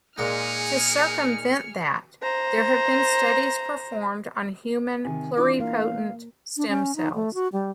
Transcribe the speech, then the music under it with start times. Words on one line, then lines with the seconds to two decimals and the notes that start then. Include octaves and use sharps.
To circumvent that, there have been studies performed on human pluripotent stem cells.
0.18 A#2 G#3 D#4 G#4 F6 C#7
2.23 C5 A#5
5.05 C3 D#3 G#5
5.37 E3 D4 F4 D6
5.60 A#3 A#4 F5
6.57 D4
6.69 C#4
6.96 D#4
7.15 A3
7.34 F#4
7.53 G3